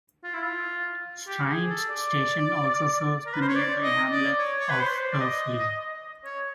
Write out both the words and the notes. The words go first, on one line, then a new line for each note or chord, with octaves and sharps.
Strines station also serves the nearby hamlet of Turf Lea.
F4
E4
F4
G4
G#4
A4
D5
A#4
B4
C5
C#5
D5
D#5
D5
C#5
C#5
B4
C5
D5
D#5
C#5